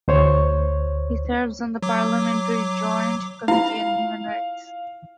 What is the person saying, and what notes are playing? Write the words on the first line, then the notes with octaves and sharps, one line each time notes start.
He serves on the Parliamentary Joint Committee on Human Rights.
D2 C5 C#5
F#3 D6
E4 F4 F5